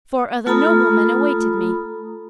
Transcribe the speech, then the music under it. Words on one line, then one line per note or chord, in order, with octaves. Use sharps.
Four other noblemen awaited me.
A3 F4 A4 A#5 B5 D#6